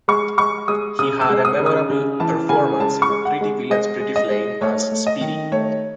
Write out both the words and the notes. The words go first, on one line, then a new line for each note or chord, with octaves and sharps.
He had a memorable performance in "Pretty Village, Pretty Flame" as Speedy.
G#3 C#6
G#3 C#6
G#3 D#6
C#3 D#6
E6
G#3
D#6
C#3
D#6
C#3
E3 A5
C#3 G#5
G#3 A5
C#6
G#3
F#5
G#3
G#3 D#5
G#3
D#5
G#3
A3 C#5
A3
D#5
D#3
A3 C#5